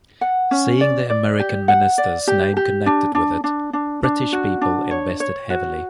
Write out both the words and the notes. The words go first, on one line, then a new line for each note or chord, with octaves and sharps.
Seeing the American minister's name connected with it, British people invested heavily.
F#5
C#4
D5
D5
G4
F#5
D5
G4
G4
D4
D4
D4
D4
D4
F#4
D4
C#5
C#5
F#4